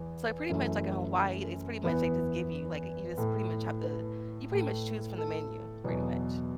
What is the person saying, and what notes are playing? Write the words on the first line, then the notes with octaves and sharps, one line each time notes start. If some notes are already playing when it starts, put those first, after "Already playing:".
so they pretty much like, in Hawaii, it's pretty much they just give you, like, you just pretty much have the you pretty much choose from the menu, pretty much.
Already playing: E2 E3 B3
F#2 E3 A3
E2 E3 B3 B4
A2 A3
B4
A2 A3
A4
E2 B2 F#3 B3